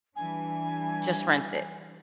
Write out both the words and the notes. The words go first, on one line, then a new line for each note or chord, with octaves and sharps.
Just rinse it.
E3 G3 D4 G#5